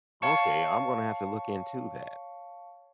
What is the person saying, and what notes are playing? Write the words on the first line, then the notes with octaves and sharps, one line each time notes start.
Okay, I'm gonna have to look into that.
C#5 F5 A5 C#6 C#7